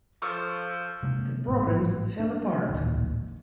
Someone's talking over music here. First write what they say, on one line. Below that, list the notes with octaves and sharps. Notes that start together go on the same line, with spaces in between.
The programs fell apart.
F3 A4 C#6 F6
C3 G#3 A#3
A1 G#2
D4
A1 D2 A#2 D#3